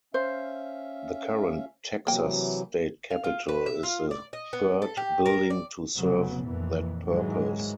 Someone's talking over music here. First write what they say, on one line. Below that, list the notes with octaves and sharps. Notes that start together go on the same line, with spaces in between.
The current Texas State Capitol is the third building to serve that purpose.
C#4 C5 E5 F5
C3 E3 F#3 A#3 G5
F5
F4
B4
E5
F4
D5
D#5
B3
A4
G4
A#4
D5
F1 C#3 F#3 B3
F2 A#2 E3
G#2 D#3 E3 F#3 G#3